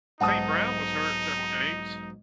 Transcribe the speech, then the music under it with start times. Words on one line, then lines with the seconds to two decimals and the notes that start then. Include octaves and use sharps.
St. Brown was hurt in several games.
0.21 B1 G#2 D#4 F#5 A5 D#6